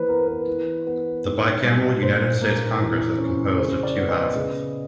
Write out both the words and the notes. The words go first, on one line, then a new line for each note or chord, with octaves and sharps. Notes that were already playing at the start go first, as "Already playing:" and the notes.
The bicameral United States Congress is composed of two houses.
Already playing: E3 A#3 B4 C5
B3 A#4
B4
E3
B3
G#2
G3
A#2 C5
A#3
E3
C#4
C#3 C5
D5
B3
D#5
C#3